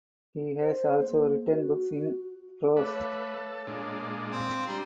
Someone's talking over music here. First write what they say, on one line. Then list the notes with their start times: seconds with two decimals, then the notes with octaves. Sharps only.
He has also written books in prose.
0.61 C5
1.01 A#3
1.51 F#4
1.93 F#4
2.77 A3 B4 C#5 F5 D6
3.34 A4
3.67 A#2 G#3 D4
4.31 C4 F5
4.67 G3 D4 G4 A#5 C6